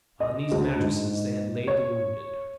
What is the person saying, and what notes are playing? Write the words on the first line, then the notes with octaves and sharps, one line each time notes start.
On these mattresses they had laid the wounded.
D#5
D2
G#2
C#5